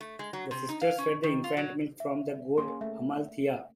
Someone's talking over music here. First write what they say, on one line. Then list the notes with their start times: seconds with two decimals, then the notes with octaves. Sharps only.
The sisters fed the infant milk from the goat Amaltheia.
0.01 A3
0.19 G#3
0.33 F#3
0.51 C3
0.69 D#4
0.81 F5
0.98 C#4
1.23 D#3
1.44 F4
1.57 F#3
2.00 E5
2.58 A#3 C#4 G#4 C6
2.81 A3 E5